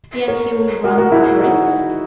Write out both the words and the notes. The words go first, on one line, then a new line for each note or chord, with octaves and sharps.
"Yet you will run that risk?"
A#4 C#5
F#4 A#4
F#4 A#4
E4 G#4
D#4 F#4